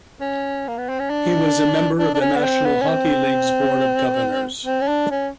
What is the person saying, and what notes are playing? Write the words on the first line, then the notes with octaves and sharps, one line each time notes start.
He was a member of the National Hockey League's Board of Governors.
C#4
A#3
B3
C4
C#4
D4
D4
D4
C#4
B3
C4
B3
C#4
C4
C4
C#4
D4
C#4